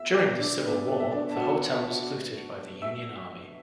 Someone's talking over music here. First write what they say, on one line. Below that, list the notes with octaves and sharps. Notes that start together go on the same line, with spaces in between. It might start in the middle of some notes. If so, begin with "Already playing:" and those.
During the Civil War, the hotel was looted by the Union Army.
Already playing: E5 E6
D5 D6
D4 D5
B3 B4
A4
E5
D4 D5
A5
F#4 F#5
B2 A3
E5 E6